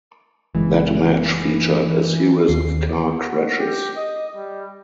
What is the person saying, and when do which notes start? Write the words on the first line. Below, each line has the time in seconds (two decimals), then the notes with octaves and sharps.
That match featured "a series of car crashes".
0.54 F#1 F#2 E3 G#3
2.49 D#2 C7
3.17 F#4
3.58 G4
3.97 D#5
4.36 G3